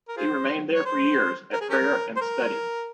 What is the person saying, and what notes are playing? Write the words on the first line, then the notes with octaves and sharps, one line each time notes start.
He remained there for years, at prayer and study.
A#4
F4 G#4 C5
C#5
C5
A#4
G#4
C#4 G4 A#4
C5
A#4